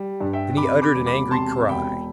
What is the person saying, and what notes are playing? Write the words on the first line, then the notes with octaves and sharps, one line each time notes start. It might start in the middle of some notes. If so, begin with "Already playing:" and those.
Then he uttered an angry cry.
Already playing: G3
G2
E5 G5
C3 B5 D6
B5 D6
E1
B5 D6
C3 A5 C6
E1 G5 B5